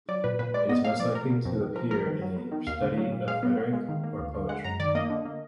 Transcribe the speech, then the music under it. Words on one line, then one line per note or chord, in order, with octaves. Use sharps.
It is most likely to appear in a study of rhetoric or poetry.
F#3 D5
A#2 B4
A#2 B4
G#3 D5
B3 D#5
A#3 F5
F3 D5
A#3 A#4
B2
F2
D#3
F3 A#4
F3 A#4
D#3
F#3
B3
D#3
D#2 F5
D3
F#3
A#2
G#3 F5
B3
B3
G#3
D#3
A#3
D2
D3
G#3 F#5
F#2 A#5
D#3 D5
A#3 D#5
D3
A#3